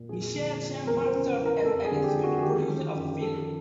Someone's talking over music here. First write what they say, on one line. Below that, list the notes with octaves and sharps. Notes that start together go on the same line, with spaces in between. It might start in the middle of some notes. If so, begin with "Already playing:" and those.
Michael Shamberg served as an executive producer of the film.
Already playing: A#2
F2 G#4
D3
F3
E2 A#4
C5
C#3
B4
E3
A#4
F2 A4
G#4
D3
G4
F3
F#4
G#4
D#3 G4
D#3
F#2
F3 A4